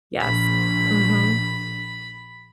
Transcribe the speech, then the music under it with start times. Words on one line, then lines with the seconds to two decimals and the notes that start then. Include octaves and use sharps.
Yes. Mhm.
0.20 A#1 B5